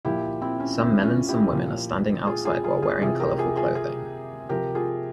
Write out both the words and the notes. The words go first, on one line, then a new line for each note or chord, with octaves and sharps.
Some men and some women are standing outside while wearing colorful clothing.
A#2 F3 E4 G4
C4 E4
C#4
C4 E4
C#4 F4
E4 G4
A#2 F3
F4 G#4
F4 G#4
F4 G#4
F4 G#4
C3 E3 F4 G#4
G4 A#4
F4 G#4
F4 G#4
F4 G#4
C3 F3 G4 A#4
F4 G#4